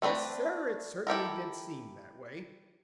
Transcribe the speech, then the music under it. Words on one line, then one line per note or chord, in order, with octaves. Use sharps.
Yes, Sir, it certainly did seem that way.
A3 C4 D4 B4
E4 G4 A4 A#4